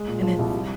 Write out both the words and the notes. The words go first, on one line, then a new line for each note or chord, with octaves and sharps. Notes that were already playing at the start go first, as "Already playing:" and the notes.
And it's
Already playing: G#3
A#2
F3
C2
G3